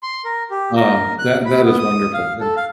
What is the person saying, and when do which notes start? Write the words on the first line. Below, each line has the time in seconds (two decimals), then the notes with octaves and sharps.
Um, that that is wonderful, wonder
0.03 C6
0.25 A#4
0.51 G4
0.75 A#4
1.19 F#6
1.45 B5
1.64 B3
1.79 D#6
2.14 F5
2.41 A4
2.57 F5